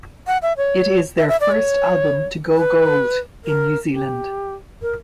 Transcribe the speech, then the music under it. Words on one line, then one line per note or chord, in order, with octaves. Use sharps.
It is their first album to go gold in New Zealand.
F#5
E5
C#5
E5
E5
D5
C#5
B4
A#4
G4
A#4